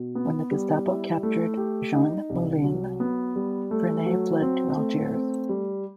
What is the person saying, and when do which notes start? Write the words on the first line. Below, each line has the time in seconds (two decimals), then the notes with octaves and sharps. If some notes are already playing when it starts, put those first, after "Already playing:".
When the Gestapo captured Jean Moulin, Frenay fled to Algiers.
Already playing: B2
0.15 B3
0.51 G3
0.87 E4
1.23 A3
1.57 G4
1.94 D#4
2.30 C2
2.64 F#3
3.00 B3
3.36 G3
3.71 A3
4.06 F#3
4.42 C4
4.77 A3
5.13 C4
5.49 G3